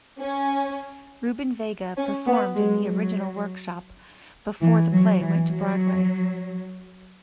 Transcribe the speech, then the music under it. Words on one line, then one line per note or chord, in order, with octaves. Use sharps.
Rubin-Vega performed in the original workshop before the play went to Broadway.
C#4
C#4
B3
G#3
F#3
E3
F#3
E3
F#3